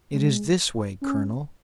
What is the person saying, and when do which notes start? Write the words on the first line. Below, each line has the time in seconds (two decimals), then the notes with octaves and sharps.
It is this way, colonel.
0.14 G#3
1.02 C#4